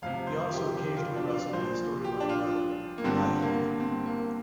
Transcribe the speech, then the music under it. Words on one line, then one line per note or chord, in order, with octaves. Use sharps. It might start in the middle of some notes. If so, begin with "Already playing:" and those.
He also occasionally wrestled with a storyline "brother" Guy Heenan.
F1 F2 C3 F5
C5
G4
G4
F4
D4
D5
F5
A#1 A#2 C5
G4
D4
F4
A#3
G1 G2 D3 C4
A#3
C4
A#3